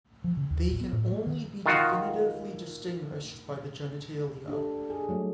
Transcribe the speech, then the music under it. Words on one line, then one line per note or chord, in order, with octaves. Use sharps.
They can only be definitively distinguished by the genitalia.
F3
C#3
D#2
A1
B3
A2
A3
D#3
D#3 F4 F#4
D4 G4 A4
G#4
F#3 G3 A3